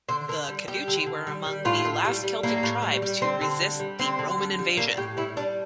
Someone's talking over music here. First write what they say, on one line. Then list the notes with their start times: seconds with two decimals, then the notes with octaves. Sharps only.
The Cadurci were among the last Celtic tribes to resist the Roman invasion.
0.09 D3 C5
0.28 D3 A#4
0.48 G3
0.67 G3 G4
0.87 D3
1.06 D3
1.27 G3
1.46 G3
1.65 A2 F4
1.85 A2
2.05 G3
2.23 G3
2.43 A2 A#3
2.63 A2
2.82 G3
3.02 G3
3.21 D3 C4
3.41 D3
3.60 G3
3.80 G3
3.99 D3 C4
4.19 D3
4.38 G3
4.59 G3
4.77 A2 A#3
4.97 A2 G4
5.17 G3 E4
5.37 G3 D4